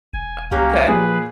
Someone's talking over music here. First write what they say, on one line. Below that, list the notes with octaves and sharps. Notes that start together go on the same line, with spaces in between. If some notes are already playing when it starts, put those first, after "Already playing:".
Uh, okay.
E1 G#5
C2 F#3 A#3 C#4 G4 F5
A#2 F3 G#4 B4